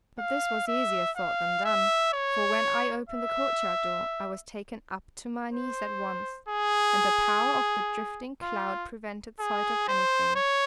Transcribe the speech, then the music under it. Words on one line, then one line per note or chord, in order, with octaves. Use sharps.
But this was easier thought than done; for when I opened the courtyard door, I was taken up to my knees at once, and the power of the drifting cloud prevented sight of anything.
F5
E5
F5
E5
C#5
E5
C5
G#4
F4
G#4
C5
C#5